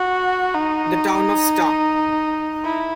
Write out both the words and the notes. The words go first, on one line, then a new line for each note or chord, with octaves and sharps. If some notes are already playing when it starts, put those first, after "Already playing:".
The town of Sta.
Already playing: F#4
D#4
E4